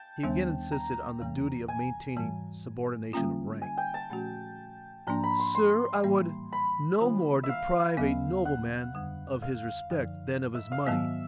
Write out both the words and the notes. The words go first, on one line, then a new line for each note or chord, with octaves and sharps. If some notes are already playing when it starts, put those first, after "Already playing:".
He again insisted on the duty of maintaining subordination of rank. 'Sir, I would no more deprive a nobleman of his respect, than of his money.
Already playing: G5 A5
D#2 D#3 G3 B3 D4
A#5
E2 C3 E3 G3 A#3
G#5
G#2 E3 G3
D3 G3 A#3 C#4 F4
G#5
G5
A5
A#2 F3 A3 C#4 F#4
G#2 F3 A#3 D4 A#5
B5
C6
C6
A2 E3 G3 A#3
B5
D#3 G3 A#3 D4 F4
E5
F5
D#2 C#3 F#3 B3
F#5
F2 D3 G3
F5
F#2 D3 F3
E5
F5
G#2 D#3 F#3 B3 E5